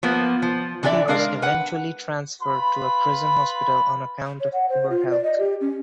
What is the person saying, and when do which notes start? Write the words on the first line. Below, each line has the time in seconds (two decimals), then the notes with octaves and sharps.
He was eventually transferred to a prison hospital on account of poor health.
0.03 F3 A#3 B3
0.42 F3
0.83 D3 E3 B3 G#4 D5 E5
1.08 G#3 D4 A#4 F5
1.42 B4 F#5
2.41 F4 B4 B5
4.40 C#5
4.53 F#5
4.69 C5
4.90 F4
5.11 D5
5.24 D#5
5.39 G4
5.61 C#4